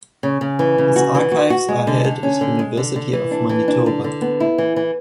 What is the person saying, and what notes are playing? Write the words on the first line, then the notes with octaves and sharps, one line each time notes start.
His archives are held at University of Manitoba.
C#3
C#3
E3
C#3
F#4
E3
F#4
F#4
G#3
D3
D3
C#4
D3
G#3
D3
D3
E3
D4
E3
D4
D3
D3
B3
E4
E3
E3